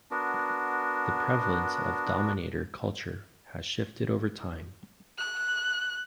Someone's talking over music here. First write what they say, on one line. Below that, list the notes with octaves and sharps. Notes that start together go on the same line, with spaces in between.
The prevalence of dominator culture has shifted over time.
B3 D4 F#4 A#4
F#6